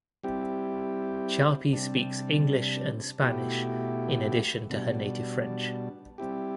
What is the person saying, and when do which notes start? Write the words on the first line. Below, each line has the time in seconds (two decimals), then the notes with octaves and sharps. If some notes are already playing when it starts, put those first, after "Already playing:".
Charpy speaks English and Spanish in addition to her native French.
0.23 G3 C4 E4 G4
1.73 C3 G3 D4
3.22 B2 A3 E4 G4
4.70 B2 G3 D4
6.18 G3 C4 E4 G4